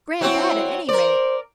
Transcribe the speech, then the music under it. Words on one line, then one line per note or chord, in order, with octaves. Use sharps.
Grant that at any rate.
F#3 C4 E4 F#4
A#4 C5 D5